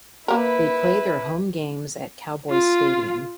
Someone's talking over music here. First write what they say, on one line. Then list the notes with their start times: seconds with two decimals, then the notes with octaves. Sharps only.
They play their home games at Cowboy Stadium.
0.28 A#3 E4 A#4 B4
2.50 F4